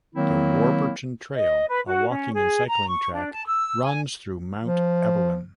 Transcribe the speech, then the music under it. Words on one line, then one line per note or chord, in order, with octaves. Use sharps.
The Warburton Trail, a walking and cycling track, runs through Mount Evelyn.
D#3 F#3 A#3 C4 E4
D#5
B4
F#4
C#4
G#4
A#5
C#6
D4
A5
E6
G#5
F3